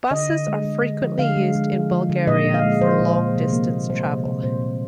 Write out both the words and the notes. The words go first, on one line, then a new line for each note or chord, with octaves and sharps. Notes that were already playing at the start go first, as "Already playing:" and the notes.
Buses are frequently used in Bulgaria for long-distance travel.
D3 D#5
D3
G#3
G#3
D3
F3
D3 F5
G#3
G#3
F3
F3
D3
A#2 D#5
A#2
F5
G#3
F3 C5
A#2
A#2
C3
A#3
A#3
G3 C5
C3
C3
A#2 C5
A#2